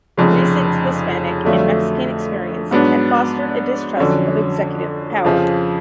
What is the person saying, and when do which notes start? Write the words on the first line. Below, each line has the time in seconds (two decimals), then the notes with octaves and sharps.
Recent Hispanic and Mexican experience had fostered a distrust of executive power.
0.18 F1 F2 C#3
1.45 F2 D3 F#3 A3 F4
2.71 G#2 F#3 B3 D4
3.97 F2 D3 F#3 C#4
5.24 F2 C#3 F3